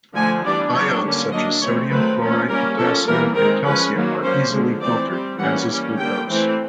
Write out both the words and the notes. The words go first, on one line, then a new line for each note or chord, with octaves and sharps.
Ions such as sodium, chloride, potassium, and calcium are easily filtered, as is glucose.
D3 F3 A3 G#5
E3 G3 B3 D4 D5
F#3 B3 D4 C#5
D3 G3 A#3 C#4
F#3 A#3 D4 D#5
E3 A3 C4 C#5
D#3 F#3 A3 C4 B4
F3 A3 C#4
G3 A#3 C#4 A#4
F3 A#3 C#4 A4
E3 G3 A#3 A#4
D#3 G#3 C4 A#4
F3 G#3 C#4 B4
D#3 F#3 A#3
F#3 A#3 C#4 C5
D3 F3 G#3
E3 A3 C4 D5
G3 C4
E3 G3 A#3 C#4 F#5
G3 A#3 C#4
D3 G3 A#3 G5
E3 A3 C4